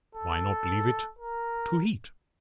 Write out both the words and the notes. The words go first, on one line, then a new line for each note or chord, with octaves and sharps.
"Why not leave it to Heat?"
A4
A#4